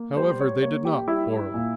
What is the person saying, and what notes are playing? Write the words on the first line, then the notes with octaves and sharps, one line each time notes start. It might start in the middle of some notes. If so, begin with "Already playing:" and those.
However, they did not quarrel.
Already playing: A#3
G3 C5
C#5
A#3 C#5
G4
G3 E4
A#2